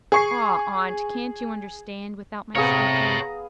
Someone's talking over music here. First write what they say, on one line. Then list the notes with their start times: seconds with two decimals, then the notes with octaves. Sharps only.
"Ah, aunt; can't you understand, without my speaking?"
0.12 G#4 C#6 C7
2.56 C3 B3 G#4 A4 C#5 F5 A#5